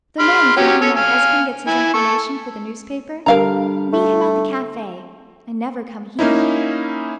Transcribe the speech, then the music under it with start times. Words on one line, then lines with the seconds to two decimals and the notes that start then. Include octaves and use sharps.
The men from whom my husband gets his information for the newspaper meet him at the cafe, and never come here.
0.19 B5 C6 F6
0.57 F#3 C#4 G4
0.81 C#4 A4 C#5
0.96 F5 G#5
1.67 E4 G#5
1.94 A4 C#6
3.26 D3 G3 A#4 F5 A#5
3.93 A3
6.19 A#3 C#4 D#4 E4